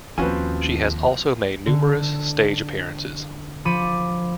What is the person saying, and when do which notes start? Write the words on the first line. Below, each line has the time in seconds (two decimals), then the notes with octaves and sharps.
She has also made numerous stage appearances.
0.18 D#2 F3 C4 C#4 F#4 B4 G#5
1.66 D3
3.65 F3 B5 D6 A6 C#7 D#7